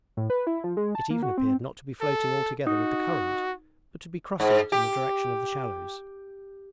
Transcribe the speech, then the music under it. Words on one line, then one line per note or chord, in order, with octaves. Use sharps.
It even appeared not to be floating altogether with the current, but to be crossing it in the direction of the shallows.
A2
B4
E4
F3
G#3
A5
A#3
F#4
C4
A4
D#4 F#4
G#2
G4